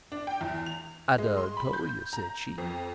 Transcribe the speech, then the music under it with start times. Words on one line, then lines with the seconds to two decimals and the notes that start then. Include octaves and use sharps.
"I done tol' you," said she.
0.12 D4
0.27 G5
0.41 E2
0.66 F7
1.18 G#3
1.37 C6
1.57 B5
1.73 G6
2.13 A#5
2.58 F2